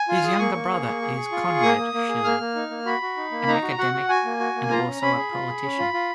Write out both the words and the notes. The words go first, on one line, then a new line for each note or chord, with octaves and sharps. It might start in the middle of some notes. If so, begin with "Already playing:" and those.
His younger brother is Konrad Schily, an academic and also a politician.
Already playing: G#5
F4
F6
G#4 D#6
A#3 C#6
A#3
G#4
A#3
G#4
G#4
F4
G#4
A#3 D#6
A#3
A#3
G#4
A#3 F6
A#3
D#4
A#3
F#4 B5
F#4
D#4
A#3
D#4 A#5
F#4
F#4 F#5
F#4
F#4 G#5
A#3
F#4
A#3
F4 A#5
C#4
C#4 B5
G#4
F4
G#4
C#4
F4
F4